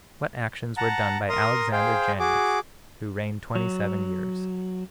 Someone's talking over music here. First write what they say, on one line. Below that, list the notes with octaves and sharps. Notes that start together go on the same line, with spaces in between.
What Actions Were Done By Alexander Janneus, Who Reigned Twenty-Seven Years.
F#5 A5 A#5
A#4 A#5 C6 D#6
G#4 C5 F5 G5
F#4 G#4 D6
F#3